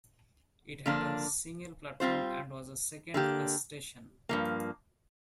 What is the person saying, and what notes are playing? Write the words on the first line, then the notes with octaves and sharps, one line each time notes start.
It had a single platform and was a second-class station.
D3 F3 A#3 D4
G3 C4 F4 C5
D3 A#3 G4
G2 F3 A#3